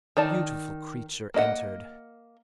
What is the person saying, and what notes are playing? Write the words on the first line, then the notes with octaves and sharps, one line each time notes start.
A beautiful creature entered.
D#3 D5 A5
A#3 D#5 F#5